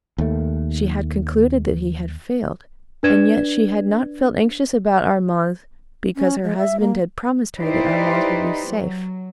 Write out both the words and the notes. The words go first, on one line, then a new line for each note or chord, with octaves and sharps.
She had concluded that he had failed, and yet, she had not felt anxious about Armand, because her husband had promised her that Armand would be safe.
D#2 A3
D4 B4 D5 G#6 E7
C#4
G#3
E5
A#3
D#4 E4 G4 B4 C5 D5
F#3